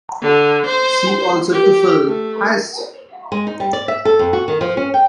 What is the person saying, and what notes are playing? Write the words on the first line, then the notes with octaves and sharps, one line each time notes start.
See also Teuffel, Hist.
D3
C5
G4
A3
G#3
D#4
G3
D5
E5
A4
F2
F#4
D#3
F3
C#4
G5